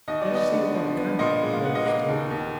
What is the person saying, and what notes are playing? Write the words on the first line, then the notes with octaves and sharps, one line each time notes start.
Just see what a country it goes through.
D#2 D#5
D5
B3 D#5
D3
F3
B3
A#2 D#5
G#3
F5
B3 F#5
D#5
A#3 D#5
D#2
D#2